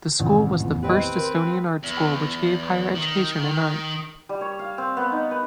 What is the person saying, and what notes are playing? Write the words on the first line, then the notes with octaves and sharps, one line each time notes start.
The school was the first Estonian art school which gave higher education in art.
A1 C3 D#3
A1 E2
C4 G4 B4 D5 D#5
A#4 C6
E2
D#3
G3
C#5
F5
C4
B3
D#4
B4